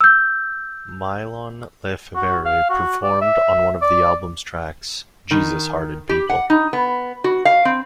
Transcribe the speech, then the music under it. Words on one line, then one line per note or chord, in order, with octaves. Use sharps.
Mylon LeFevre performed on one of the album's tracks, Jesus Hearted People.
E6 G6
F#4
F5
F#4
D5
E5
D5
D#3
G4
F#5
D#4
B3
F#4
F5
C4